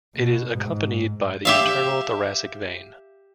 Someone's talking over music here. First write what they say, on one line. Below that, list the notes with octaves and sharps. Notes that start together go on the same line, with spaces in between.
It is accompanied by the internal thoracic vein.
B2
G#2
G4 E5 F5